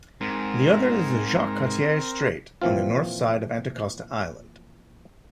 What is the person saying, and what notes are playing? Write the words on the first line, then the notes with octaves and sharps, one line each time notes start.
The other is the Jacques Cartier Strait on the north side of Anticosti Island.
G#2 C4 A#4
A#2 E3 F3 C4 F4